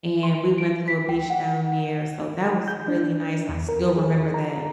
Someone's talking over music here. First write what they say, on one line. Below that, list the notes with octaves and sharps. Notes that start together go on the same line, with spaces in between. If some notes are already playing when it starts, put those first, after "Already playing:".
and we went to a beach down there, so that was really nice. I still remember that
C6
D7
B6
G5
F#5
G6
D4
E2
A#4
G#4
A#5